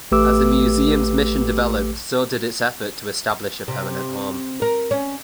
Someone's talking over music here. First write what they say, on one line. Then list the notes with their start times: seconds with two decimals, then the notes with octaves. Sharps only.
As the museum's mission developed, so did its effort to establish a permanent home.
0.12 A1 A3 G4 B4 D6 E6
3.68 C3
4.62 A#4
4.91 C#4